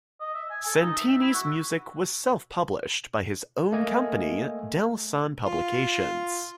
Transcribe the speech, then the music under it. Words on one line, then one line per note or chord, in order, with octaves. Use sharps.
Santini's music was self-published by his own company, DelSan Publications.
D#5
E5
G#5
A4
D#4
E5
E4
F#4
A3 A#3 D#5 G#5
F4